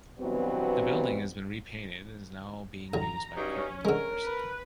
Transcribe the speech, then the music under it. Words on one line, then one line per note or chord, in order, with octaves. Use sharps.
The building has been repainted and is now being used by Curtin University.
G2 B2 E3 F#3 B3 C4
A1 D2 A#5
G2 F#3 C#4 D#4
D3 G#3 A#4
B4